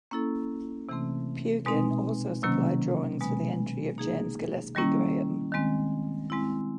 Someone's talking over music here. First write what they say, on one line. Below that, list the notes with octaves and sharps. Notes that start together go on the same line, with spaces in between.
Pugin also supplied drawings for the entry of James Gillespie Graham.
A#3 C#4 E4 A4
C3 E3 A3 C4
B2 G#3 C4 D#4
C3 D#3 F#3 A#3 C#4
B2 G#3 B3
A#3 D#4 G#4
D#3 G3 A#3 C#4 E4
D#3 G#3 C4
G#3 C4 E4